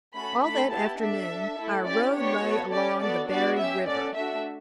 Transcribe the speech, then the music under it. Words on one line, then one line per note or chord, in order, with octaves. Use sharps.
All that afternoon our road lay along the buried river.
A3 C#4 F#4 A4 B5
A3 D4 A4 B5
B3 E4 G4 A5
D4 A4 E5
D4 A4
A3 E4 A4
C#4 E4 G4 D5
B3 D4 G4 C#5
B3 F#4 A4
C#4 G4 D5
B3 F#4 A4 D5
B3 D4 F#4 D5
C#4 G4 E5
C#4 F#4 A4 D5
A3 D4 F#4 E5